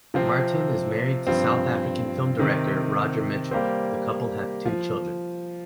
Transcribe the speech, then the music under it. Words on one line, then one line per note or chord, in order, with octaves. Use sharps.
Martin is married to South-African film director Roger Michell; the couple have two children.
C3 F3 C4
G2 F3 C4
C3 D#3 C4
G3 A#3 G4 C5
F3